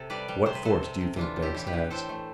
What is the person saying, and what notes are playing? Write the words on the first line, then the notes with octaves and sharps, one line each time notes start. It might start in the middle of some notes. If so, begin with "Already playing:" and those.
"What force do you think Banks has?"
Already playing: C3 A4
G3 B4 D5
G3
C3 C5
B4
C3 A4 C5
C3
C3
E3 D4 F4
A2
E4 G4
E3
G4 B4
E3
A2 A4 C5
A3